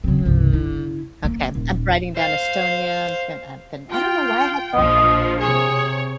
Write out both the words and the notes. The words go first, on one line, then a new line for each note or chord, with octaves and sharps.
Mm, okay I'm writing down Estonia, then I've been I don't know why I had thought that
C#3 C4
C2 G2
E4
A#3
D#1
C5 F5
F4 G5
A#1 F3 D#5
C3 G#4 C#5